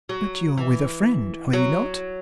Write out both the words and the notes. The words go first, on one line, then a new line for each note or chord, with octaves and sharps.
"But you are with a friend, are you not?"
F#3
E3
F#3